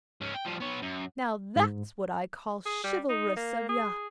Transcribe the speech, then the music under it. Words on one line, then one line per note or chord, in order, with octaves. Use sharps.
Now that's what I call chivalrous of yah.
G#2 C#4
G5
F3 G3
B3 C#5
F#2
G#2
G#4
G3
D#4
A#3
G#4